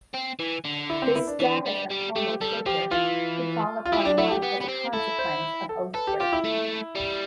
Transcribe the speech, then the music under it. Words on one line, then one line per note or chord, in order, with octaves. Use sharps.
The status of "homo sacer" could fall upon one as a consequence of oath-breaking.
C4
E3
D3
E4
C4
E4
D4
E3 D4
G3
G3
A3 G4
G3 A4
F3 G4
E3 F4
F4
G3 E4
D4
A3 E4
G4
B3
B3
C4
E4 A4
C5
A4
A4 B4
G4
F4 G4
E4
A3
G3